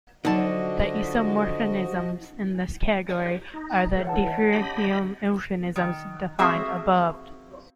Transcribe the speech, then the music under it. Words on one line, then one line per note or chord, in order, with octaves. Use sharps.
The isomorphisms in this category are the diffeomorphisms defined above.
D3 F3 F#3 D#4 F#4 D#5 A5
D#4
E3 C#5 F#5 A5
G4 D#5 B5
D#3
A#3 C4 F#4 G#4 E5